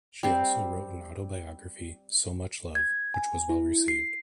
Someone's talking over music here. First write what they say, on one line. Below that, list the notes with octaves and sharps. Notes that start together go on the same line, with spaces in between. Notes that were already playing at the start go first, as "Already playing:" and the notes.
She also wrote an autobiography, "So Much Love", which was well received.
G3 C4
G#6
G#5
E4
C7